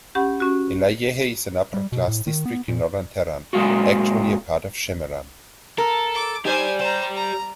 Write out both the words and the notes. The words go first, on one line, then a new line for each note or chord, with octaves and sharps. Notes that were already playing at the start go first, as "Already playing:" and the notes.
Elahiyeh is an upper class district in Northern Tehran, actually a part of Shemiran.
C#4 G4 F#5 B5
C#4 F#4
G3
B2
A2
D#3
B3
A#2
A#2 G#3 A3 F4 F#4
A4 A#4
D6
D#4 G4 C5 D5 G#5
G3 C5 A#5
A#5